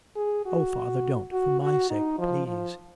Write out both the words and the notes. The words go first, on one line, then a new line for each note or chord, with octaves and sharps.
'Oh, father, don't, for my sake, please.'
G#4
F#4
F#4
F#4
D#4
F3
F3